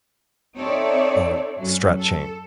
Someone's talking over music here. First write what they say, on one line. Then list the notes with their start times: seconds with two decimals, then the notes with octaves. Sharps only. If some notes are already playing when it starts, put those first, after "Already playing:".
um, stretching.
0.57 C4 D#4 A4 C#5 D5 E5
1.57 F#2 F#3 C#4
1.98 A4